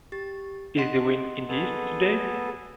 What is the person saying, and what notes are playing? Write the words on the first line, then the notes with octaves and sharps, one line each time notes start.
Is the wind in the east today?
G4 A6
D#5 F#5 C6
B3 G#4 A4